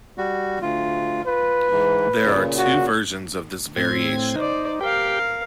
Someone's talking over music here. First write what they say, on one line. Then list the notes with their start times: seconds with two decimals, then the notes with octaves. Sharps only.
There are two versions of this variation.
0.18 G3 F#4
0.62 D2 F4
1.26 F4 B4
1.71 G#2 E3
2.24 A#2 C#3
2.57 F#4
3.76 A2 C4 G#6
4.36 D#4 C5 D5
4.81 G4 A#4 F5 G5